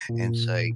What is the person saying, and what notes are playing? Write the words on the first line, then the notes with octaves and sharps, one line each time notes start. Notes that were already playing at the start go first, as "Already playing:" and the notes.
and say
A#2